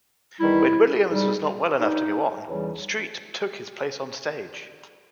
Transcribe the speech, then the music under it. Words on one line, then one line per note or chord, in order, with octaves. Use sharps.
When Williams was not well enough to go on, Street took his place onstage.
E2 D#3 G3 E4
G#2 G3
G2 G3 D#4
E2 C#3 E3 G3